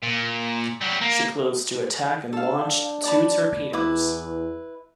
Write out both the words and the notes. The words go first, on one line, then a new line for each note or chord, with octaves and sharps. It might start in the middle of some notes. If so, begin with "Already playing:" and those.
She closed to attack and launched two torpedoes.
A#2
F#3 G3
A#3
D4 A4 F5
D5 A5 B5
E2 E4 B4 D6